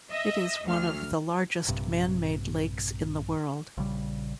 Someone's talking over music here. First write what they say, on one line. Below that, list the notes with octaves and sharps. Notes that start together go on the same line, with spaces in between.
It is one of the largest man-made lakes in the world.
D#5 E5
D2 F6
A#1 G2 C3
A#1 C#3 G3